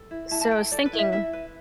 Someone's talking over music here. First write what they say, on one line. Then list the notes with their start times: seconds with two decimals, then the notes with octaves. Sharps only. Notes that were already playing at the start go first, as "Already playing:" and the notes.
So I was thinking
Already playing: A4
0.11 E4
0.31 E4 A5
0.41 A5
0.51 A4 G5
0.72 A4 D5
0.85 B4
0.93 E4
0.99 E5
1.12 E4 E5
1.33 B4